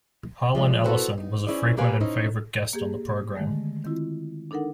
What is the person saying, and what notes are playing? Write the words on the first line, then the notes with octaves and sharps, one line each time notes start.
Harlan Ellison was a frequent and favorite guest on the program.
F3 G#3 D5
B3 E4 F#4 A4 B4 C5
D#4
C#4 E4 G#4 C5 D5
A#3 G4 A#4 B4 F5 G#5
C#4 D#4 E4 C5
A#3 G4 G#4
D3 D#3 G#3 A3
D#3 C4 E4 F4
D4 D#4 A4 A#4 F#5